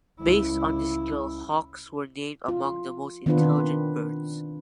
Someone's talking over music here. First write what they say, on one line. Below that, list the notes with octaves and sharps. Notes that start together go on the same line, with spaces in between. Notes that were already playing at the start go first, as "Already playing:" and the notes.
Based on this scale, Hawks were named among the most intelligent birds.
C#2 E4
F4
D#3 B3 C4 D4 F4 B4